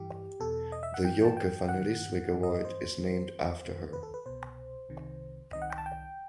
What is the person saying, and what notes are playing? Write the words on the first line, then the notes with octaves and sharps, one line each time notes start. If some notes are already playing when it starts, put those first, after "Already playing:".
The Joke van Rijswijk Award is named after her.
Already playing: G2 E3 G4
E2 B2 A4
D#5
E5
F#5
G2 E3 G5
A5
G5
G2 D#3 F#5
G2 E3
D#5
D#5
C5
F#2 E3
D#2 D#3
B4
A4
B4
C2 B2 C5
C2 C3 D#3
C2 C3 D#3 D#5
F#5
G5
A5
G5